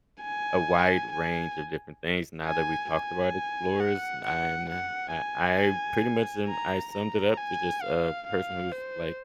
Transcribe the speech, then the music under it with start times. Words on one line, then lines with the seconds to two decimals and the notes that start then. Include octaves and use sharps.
a wide range of different things now that we've talked about explorers n and I I pretty much and I summed it up to just a person who's, like,
0.23 G#5
1.12 G#5
2.46 G#5
2.91 G#5
3.80 F#5
4.24 F#5
4.70 F#5
5.14 G#5
6.49 A#5
6.93 A#5
7.37 G#5
7.82 F5
8.27 F5
8.72 C5